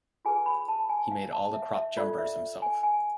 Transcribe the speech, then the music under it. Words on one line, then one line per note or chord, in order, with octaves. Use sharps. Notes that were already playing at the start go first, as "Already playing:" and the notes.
He made all the cropped jumpers himself.
F4 G#4 B4 G#5
B5
A5
G#5
F5
A5
E5
E5
F4 A4 C5 D5
E5
G#5
G#5